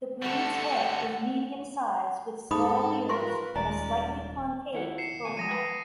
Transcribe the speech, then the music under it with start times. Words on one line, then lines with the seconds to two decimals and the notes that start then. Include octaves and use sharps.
The breed's head is medium sized with small ears and a slightly concave profile.
0.22 D3 G3 A3 A4 F#5 C#7
2.51 G#2 D#4 A4 B5 D#6
3.09 F4 A#4 B4 C6 C#6
3.56 D#1 G#3 C#4 D5 A#5
4.73 D#2 E4 F#5
4.98 C7 C#7 E7
5.25 C#2 B2 G#5
5.37 F3 F#3 G#3 D#6 A#6 D#7
5.49 B4 G#5